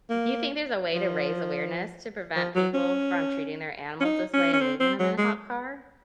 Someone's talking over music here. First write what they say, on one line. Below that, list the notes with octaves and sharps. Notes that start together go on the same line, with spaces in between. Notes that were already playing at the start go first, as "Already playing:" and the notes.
Do you think there's a way to raise awareness to prevent people from treating their animals this way and leaving them in a hot car?
A#3
F3
F3
F#3
C#4
C#4
D#4
C#4
C#4
C4
C4
F#3
G#3